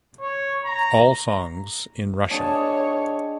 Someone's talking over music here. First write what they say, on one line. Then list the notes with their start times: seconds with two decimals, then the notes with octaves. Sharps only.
All songs in Russian.
0.21 C#5
0.64 A#5
2.31 D4 G#4 C#5 D#5 G5 A5